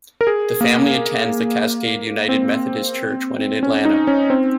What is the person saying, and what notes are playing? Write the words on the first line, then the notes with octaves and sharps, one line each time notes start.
The family attends the Cascade United Methodist Church when in Atlanta.
A#4
G#4
A#3
C4
C#4
D#4
C#4
C4